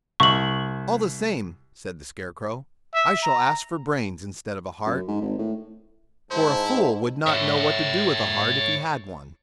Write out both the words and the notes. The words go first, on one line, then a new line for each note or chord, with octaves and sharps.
"All the same," said the Scarecrow, "I shall ask for brains instead of a heart; for a fool would not know what to do with a heart if he had one."
C2 C#6 F#7
E5
A#5
F#2
G#2
G#1
A2
G#2 E4 C5 A5
C#5 E5